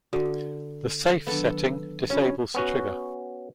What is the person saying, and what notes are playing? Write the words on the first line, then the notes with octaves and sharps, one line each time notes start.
The "safe" setting disables the trigger.
D3 F#4
D#3 F#3 B3 D4 A4
C#4 D4 F#4 B5
B3 C#4 F#4